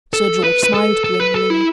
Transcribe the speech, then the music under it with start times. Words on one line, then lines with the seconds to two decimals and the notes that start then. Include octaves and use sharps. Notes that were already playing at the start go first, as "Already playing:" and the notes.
Sir George smiled grimly.
0.13 A4
0.44 B4
0.64 B4
0.74 A4
1.04 A4
1.20 B4
1.35 A4
1.50 E4